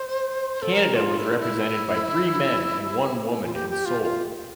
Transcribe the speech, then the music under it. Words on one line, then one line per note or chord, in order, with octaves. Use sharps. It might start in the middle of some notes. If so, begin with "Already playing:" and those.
Canada was represented by three men and one woman in Seoul.
Already playing: C5
A4
A#4
F4
E4
E4
F4
G4
G4
F4
F4